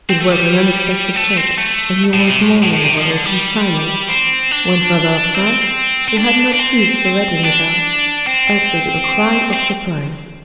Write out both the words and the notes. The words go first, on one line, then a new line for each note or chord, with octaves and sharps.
It was an unexpected check, and he was mourning over it in silence, when Father Absinthe, who had not ceased ferreting about, uttered a cry of surprise.
C4
A3
G3
A3
C4
A3
A2
C3
A2
A2
A2
C3
F3
D3
G3
C4
D4
C4
C4
D4
D4
C4
D4
C4
C4